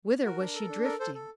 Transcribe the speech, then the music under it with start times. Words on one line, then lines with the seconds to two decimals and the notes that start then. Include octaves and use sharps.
Whither was she drifting?
0.24 F#4 A#4
0.39 D4
0.55 A4
0.69 D4
0.84 A4 A#4
1.00 A4 C5
1.14 A4